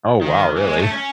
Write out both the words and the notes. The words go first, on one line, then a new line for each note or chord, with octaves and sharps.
Oh, wow, really?
D#3
E3
G#3
A3
C#4